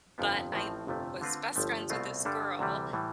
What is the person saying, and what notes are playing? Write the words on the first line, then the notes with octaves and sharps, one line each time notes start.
but I was best friends with this girl,
G1 F2 C3 F3 B3
A1 A2 F3 A3 C4
G1 F2 C3 F3 A3
D3 A3 C4 F4 B4
G1 G2 F3 A3
C2 B2 A3 C4 F4
G2 D3 G3 D4 A4
D2 C3 E3 G3
A2 E3 G3